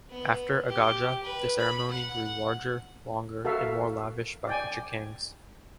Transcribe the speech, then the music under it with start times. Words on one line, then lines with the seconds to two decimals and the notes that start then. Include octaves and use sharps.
After Agaja the ceremony grew larger, longer and more lavish by future kings.
0.10 B3
0.68 G4
1.23 B4
1.58 B5
1.90 F#5
3.45 F#4 A4 A#4 E5 F5
4.47 D5 G5 G#5